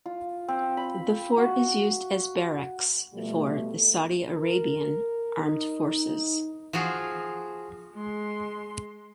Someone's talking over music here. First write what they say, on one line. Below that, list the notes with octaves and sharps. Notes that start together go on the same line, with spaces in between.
The fort is used as barracks for the Saudi Arabian Armed Forces.
F4
C4
B5
F#4
B2 F3 G3 A3
A#4
D#4
F3 F4 F#4 G#4
G#3 C6